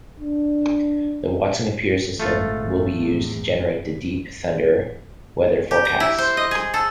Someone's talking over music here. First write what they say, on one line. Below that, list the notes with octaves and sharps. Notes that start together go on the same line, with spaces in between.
The Watson computer system will be used to generate the Deep Thunder weather forecasts.
D4
G#1 A2 A3 F4 A4
E2 A2
G4
A#5
E4
C5
D#5
G#4
A4